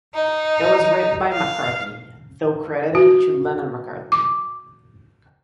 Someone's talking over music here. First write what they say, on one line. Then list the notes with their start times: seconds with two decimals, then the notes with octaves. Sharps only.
It was written by McCartney, though credited to Lennon-McCartney.
0.15 D#4
1.32 F5
2.95 F#4
4.12 D6